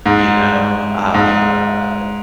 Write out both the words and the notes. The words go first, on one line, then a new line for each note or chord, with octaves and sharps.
you know, uh,
G#2
G#2